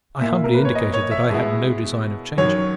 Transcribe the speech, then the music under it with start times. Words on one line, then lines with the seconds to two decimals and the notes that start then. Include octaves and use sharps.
I humbly indicated that I had no design of changing.
0.21 A#2 A#3 E4 E5
0.44 A#4
0.54 B4
0.65 C#5
0.75 D#5
0.94 C#5
1.11 E5
1.29 B2 G#3 B3 E4
2.38 F#2 D#3 F#3 C#5